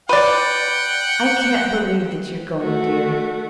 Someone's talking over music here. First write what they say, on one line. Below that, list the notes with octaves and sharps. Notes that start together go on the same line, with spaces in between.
I can't believe that you are going, dear!
B4 D5 F#5 G5
A3 F#4